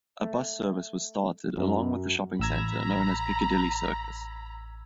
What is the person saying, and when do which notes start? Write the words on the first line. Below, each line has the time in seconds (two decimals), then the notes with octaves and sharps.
A bus service was started along with a shopping centre, known as Piccadilly Circus.
0.22 A3
1.58 F#2
2.39 A1 A#5 B5 E6 G#6